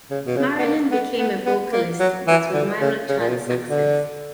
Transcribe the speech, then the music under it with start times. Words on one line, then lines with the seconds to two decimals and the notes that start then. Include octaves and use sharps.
Marilyn became a vocalist, but with minor chart success.
0.11 C#3
0.26 B2
0.37 C#3
0.59 B3
0.65 A#3
0.91 B3
1.19 B3
1.46 B3
1.72 A#3
1.99 F#3
2.28 E3
2.54 D3
2.81 C#3
3.09 C#3
3.19 A#2
3.29 B2
3.48 B2
3.70 D3